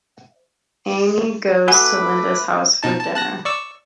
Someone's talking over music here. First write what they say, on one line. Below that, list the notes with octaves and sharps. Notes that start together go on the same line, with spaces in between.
Amy goes to Linda's house for dinner.
A3 F#4 B4 F#5 G#5 B5 D6
B2 D#4 A5
A5
A5 F#6 A#6
D5 C#6 E6